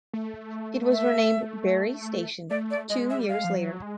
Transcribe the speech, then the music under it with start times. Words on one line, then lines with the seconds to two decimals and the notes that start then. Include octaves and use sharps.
It was renamed "Berry Station" two years later.
0.13 A3
0.93 E5
2.50 A3 D5
2.71 D5
2.90 G#3 D#5
3.10 E5
3.19 G3
3.29 G#3 F5
3.44 F3
3.56 F#3
3.82 G#3